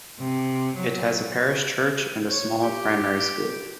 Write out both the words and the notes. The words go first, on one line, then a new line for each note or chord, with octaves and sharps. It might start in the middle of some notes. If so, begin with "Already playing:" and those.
It has a parish church and a small primary school.
C3
F#3
C#5
G4